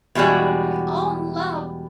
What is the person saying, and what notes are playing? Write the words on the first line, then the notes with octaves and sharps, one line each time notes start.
Mona, my own love.
E2 B2 G3 G#3 F#4 D5